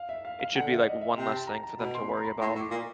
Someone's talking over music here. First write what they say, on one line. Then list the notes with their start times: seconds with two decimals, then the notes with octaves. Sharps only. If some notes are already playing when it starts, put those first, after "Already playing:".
it should be, like, one less thing for them to worry about.
Already playing: F5
0.09 E5
0.25 F5
0.40 F5
0.56 D3 F#5
0.72 E5
0.81 D5
0.86 D#5
1.01 E5
1.17 C3 G5
1.32 A5
1.47 A#5
1.63 A#5
1.79 B2 B5
1.95 C6
2.09 B5
2.17 A#5
2.25 B5
2.40 A2 C6
2.56 A2 C#6
2.60 D6
2.71 A#2